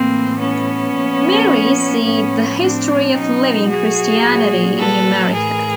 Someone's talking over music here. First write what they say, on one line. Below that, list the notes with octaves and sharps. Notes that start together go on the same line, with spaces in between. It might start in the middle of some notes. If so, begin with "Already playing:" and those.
Marie see the History of Living Christianity in America.
Already playing: A2 E3 A#3 C4
B3 C#4
A#2 F3
A2 F3 B3 C#4
C4 D4
B2 F#3 C#4 D#4
F#4 G#4
A#2 F#3
A4 B4
A2 E3 G#4 A#4